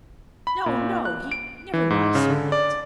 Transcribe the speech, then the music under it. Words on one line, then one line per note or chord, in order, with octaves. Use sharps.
No--no--he never lies so late.
B5
A#2
F#6
D7
E3
G#2
C#3
D3
D5